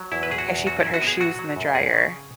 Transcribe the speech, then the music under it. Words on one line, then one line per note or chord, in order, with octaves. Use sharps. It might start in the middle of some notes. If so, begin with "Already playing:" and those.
because she put her shoes in the dryer.
Already playing: F#3
E2 E4
B4
F#3 G#4
F#4
E2
F#3 F#4
F#2 E4
F#4
B3
G#4
F#3 F#4
F#3
F#2
E2 G#4
C#3
C#3